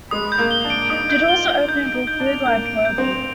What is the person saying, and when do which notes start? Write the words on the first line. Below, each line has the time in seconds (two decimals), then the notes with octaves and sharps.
The doors are open for Food for Life Global.
0.11 G#3 D#6
0.32 G6
0.38 A#3
0.51 G7
0.65 D4
0.70 D7
0.90 D#4 D#6
1.10 G6
1.20 D#4
1.28 F4 G7
1.48 D7
1.68 D#4 G6
1.87 D7
1.94 D#4
2.07 G6
2.20 D4
2.26 F7
2.46 A#3 G6
2.66 D7
2.85 G6
2.98 C4
3.04 F7